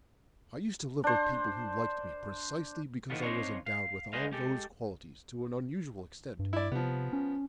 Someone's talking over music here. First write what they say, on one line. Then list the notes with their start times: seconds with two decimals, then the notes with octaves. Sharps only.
I used to live with people who liked me precisely because I was endowed with all those qualities to an unusual extent.
1.04 D4 C5
3.10 A2 D3 D#3 B3 F4
3.22 C4 D4 D#4 F4 C5 C#5
3.66 F5
4.13 G#3 G#4 B4 C5 D#5 F5
4.32 G#3 G4 A4
6.39 G2
6.53 E4 D5
6.72 C3 F3 B3
7.13 C#4